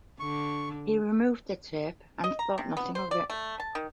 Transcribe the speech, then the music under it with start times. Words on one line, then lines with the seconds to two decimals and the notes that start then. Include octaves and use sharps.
He removed the tape, and thought nothing of it.
0.20 D3 C#6
2.24 D#5
2.39 A#5
2.58 C3
2.77 B3
2.95 C5
3.11 D5
3.30 A3
3.60 A5
3.75 D#3